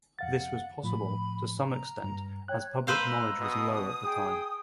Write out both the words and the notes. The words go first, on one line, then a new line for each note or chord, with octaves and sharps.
This was possible to some extent as public knowledge was low at the time.
F2 F5 F#5 A6
A2 F3 B5
A#5
G2
C#5 G5 F#6
G#3 B4 C5 F5 A#5 E6
B2 D#6
G#4 G5